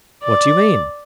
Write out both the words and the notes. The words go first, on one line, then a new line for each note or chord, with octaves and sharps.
"What do you mean?"
D5